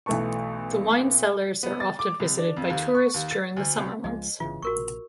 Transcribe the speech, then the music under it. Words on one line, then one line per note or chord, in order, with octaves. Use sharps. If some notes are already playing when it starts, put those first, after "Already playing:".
The wine cellars are often visited by tourists during the Summer months.
B1 E3 A3 B4 A5 C#6
B3
A6
D6
C2
D4
F2
D#2
C#6
D#2
A6
D2
C2
C#2 F3 G#3 D#5
G1 C#3 E3 F4
A#1 F#4 A#4 C#6